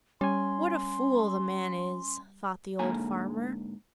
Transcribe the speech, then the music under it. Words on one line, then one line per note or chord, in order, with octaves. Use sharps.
"What a fool the man is!" thought the old farmer.
G3 C#4 G#5 C6
G#2 D3 A#3 G#5 A#5